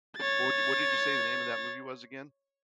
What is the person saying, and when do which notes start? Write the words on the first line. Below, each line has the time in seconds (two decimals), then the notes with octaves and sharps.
What d what did you say the name of that movie was, again?
0.17 C#5 A6